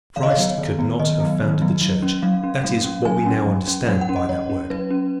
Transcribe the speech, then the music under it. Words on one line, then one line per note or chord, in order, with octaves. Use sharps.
But Christ could not have founded the Church, that is, what we now understand by that word.
D#3 F5
D#5
C#5
F#3 B3
D#3
F#3 B3
D#3 D#5
F#3 B3
D#3
F#3 B3
F#3
C#4
F#3 F5
C#4
F#3 F5
C#4
F#3 G#5
C#4
F#3
C#4
F#3 F#5
F#5
C#4
D#5
F#3 C#5
C#4
F#3 B4
C#4